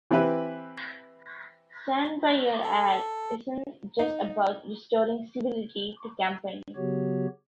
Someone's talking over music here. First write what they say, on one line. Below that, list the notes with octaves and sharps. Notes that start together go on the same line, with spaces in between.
"Stand by your ad" isn't just about restoring civility to campaigns.
E3 C4 E4 G4 B4
A4
D#4
C#3 F#3 B3 F#4 G4 C#5